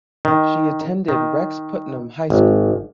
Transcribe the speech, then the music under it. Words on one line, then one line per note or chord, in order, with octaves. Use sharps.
She attended Rex Putnam High School.
D#3
D#3
G#1